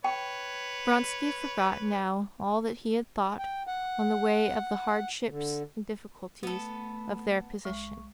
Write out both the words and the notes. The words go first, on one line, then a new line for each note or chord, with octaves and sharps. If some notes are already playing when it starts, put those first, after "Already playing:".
Vronsky forgot now all that he had thought on the way of the hardships and difficulties of their position.
B4 C#5 G5
G5
F#5
D3
A3 B3 A4
B1 G#3 C#6